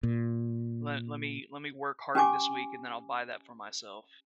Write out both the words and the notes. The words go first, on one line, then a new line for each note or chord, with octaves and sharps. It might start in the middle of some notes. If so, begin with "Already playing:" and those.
"Le let me let me work hard this week, and then I'll buy that for myself."
A#2
C#4 G4 G#5 D6